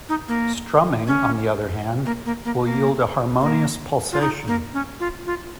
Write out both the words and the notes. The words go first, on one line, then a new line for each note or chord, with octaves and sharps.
Strumming, on the other hand, will yield a harmonious pulsation.
D#4
A#3
C#4
A#3
A#3
A#3
A#3
A#3
F4
D#4
A#3
C#4
F4
F4